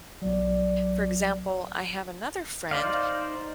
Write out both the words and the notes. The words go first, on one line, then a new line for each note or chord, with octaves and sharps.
For example, I have another friend
B1 F#3 D5
D#4 C5 D5 F5